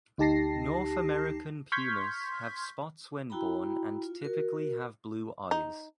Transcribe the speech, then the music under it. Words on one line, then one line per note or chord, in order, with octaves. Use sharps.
North American pumas have spots when born and typically have blue eyes.
D2 D#4 G4 A5 A#6 C7
C6 C#6 F6 G6 G#6 B6
E4 F#4 G5 A#5 B5
F4
F#4 A#4
D#4